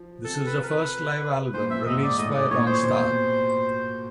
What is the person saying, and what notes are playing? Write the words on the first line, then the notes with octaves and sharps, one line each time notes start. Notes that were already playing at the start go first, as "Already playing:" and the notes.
This is the first live album released by Ronstadt.
Already playing: F3
C3 A4
B4
A#4
B4
A#2 C5
E5
G#2 D#5
D5
A2 D#5
D5
A#2 C#5
C5
B2 C5